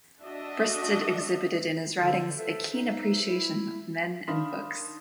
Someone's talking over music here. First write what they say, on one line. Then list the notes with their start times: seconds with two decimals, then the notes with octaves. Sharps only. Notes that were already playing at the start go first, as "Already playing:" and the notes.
Bristed exhibited in his writings a keen appreciation of men and books.
0.22 D4 F#4 D#5 E5
1.99 D3
2.37 A4 B4 C5 E5
2.74 D#4
3.26 E4
4.28 D#3 D4 F5 B5 C6 D#6 F6